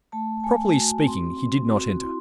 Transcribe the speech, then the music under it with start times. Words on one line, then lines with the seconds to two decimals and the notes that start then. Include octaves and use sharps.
Properly speaking, he did not enter.
0.12 A3 A5
0.40 A5
0.44 A3 G#5
0.76 F#4
1.07 C4 C6
1.39 C4
1.70 F#4
2.01 E4 C6